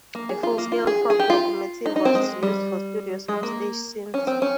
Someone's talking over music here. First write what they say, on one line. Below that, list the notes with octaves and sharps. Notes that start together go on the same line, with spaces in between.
A full-scale prop locomotive was used for studio sound stage scenes.
A#3
G#4
F4
A#3
F4
G#4
G#4
G4
F4
D#4
D#4
C4
G#3
G3
G#3
A#3
C#4
C4
C#4